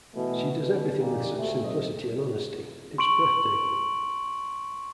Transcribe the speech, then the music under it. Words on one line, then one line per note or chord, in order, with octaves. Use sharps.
She does everything with such simplicity and honesty, it's breathtaking.
B2 E3 A3
C#2 B2
F2 A#2 D#4 G4
D2 A3
F#3 C4 D#4 D#5
C6 C#6 D7 F#7